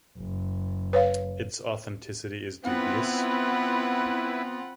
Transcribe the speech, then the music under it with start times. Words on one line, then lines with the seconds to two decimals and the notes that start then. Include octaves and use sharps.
Its authenticity is dubious.
0.18 F#1
0.93 B4 C#5 F5
2.64 B3 C4 E4 F4 B4 F#5 B5